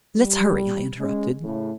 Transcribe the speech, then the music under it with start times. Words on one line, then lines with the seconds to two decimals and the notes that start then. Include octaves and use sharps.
"Let's hurry!" I interrupted.
0.15 G3
0.98 G#3 C#4
1.42 A2 C#3